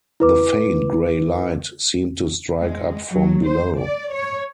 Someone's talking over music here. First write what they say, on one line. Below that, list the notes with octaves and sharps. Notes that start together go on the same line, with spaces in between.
The faint grey light seemed to strike up from below.
E4 B4 D6
G#3
F#3
C5
D5
C#5